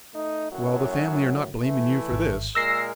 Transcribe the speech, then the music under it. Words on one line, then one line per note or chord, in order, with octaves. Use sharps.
"Well, the family are not blaming you for this."
A3 D#4
F#2 A2 F#3
E3 A3 E4
G#1
A#2 G#3 A#4 E6 A#6 C7